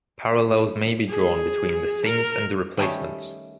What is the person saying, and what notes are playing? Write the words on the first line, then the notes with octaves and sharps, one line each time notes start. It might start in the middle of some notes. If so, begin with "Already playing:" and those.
Parallels may be drawn between The Saints and The Replacements.
G#4
A#4
D#3 G3 A3 C#4 G4